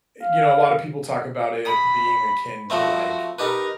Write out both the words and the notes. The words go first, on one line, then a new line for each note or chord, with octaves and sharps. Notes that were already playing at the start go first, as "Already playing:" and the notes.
e you know, a lot of people talk about it being akin to, like,
F5
B5 D#6
F3 A3 C4 F#4
D#4 G4 A#4 B4